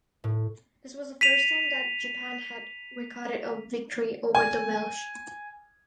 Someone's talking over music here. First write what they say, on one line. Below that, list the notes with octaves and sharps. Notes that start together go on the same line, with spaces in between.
This was the first time that Japan had recorded a victory over the Welsh.
A2
B6 D#7 F7
G#5